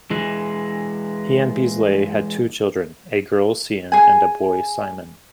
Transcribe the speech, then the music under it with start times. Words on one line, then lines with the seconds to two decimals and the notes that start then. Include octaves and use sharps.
He and Beazleigh had two children, a girl Sian and a boy Simon.
0.11 E3 G#3
3.92 G#4 G#5